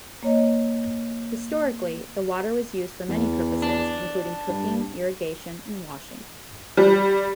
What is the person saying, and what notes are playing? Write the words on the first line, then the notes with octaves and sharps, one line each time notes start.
Historically, the water was used for many purposes including cooking, irrigation, and washing.
A#3 C#5 D#5
E2
D4
G2
G3